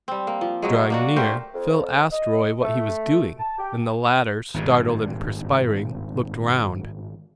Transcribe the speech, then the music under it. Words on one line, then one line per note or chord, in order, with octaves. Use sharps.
Drawing near, Phil asked Roy what he was doing, and the latter, startled and perspiring, looked round.
G3 C4
A#3
F3
B2 F#3 G#3
A#3 D4 F#4
A3 G4 A#4 C5
F2
D#5
A3
A5
G4
G#1 G2 A#2